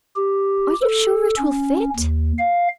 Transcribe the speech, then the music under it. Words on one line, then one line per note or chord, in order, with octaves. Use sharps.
Are you sure it will fit?
G4
A4
C#4
D#2
F5